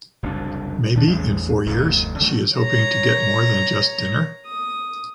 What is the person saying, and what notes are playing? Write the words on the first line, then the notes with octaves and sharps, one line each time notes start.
Maybe in four years she is hoping to get more than just dinner?
F#1 C2 F2 D4
D#3 E3 D4
A1 E2
F1 D2 G2 C3
D3 F#3 A3
C#5 A#5
D#6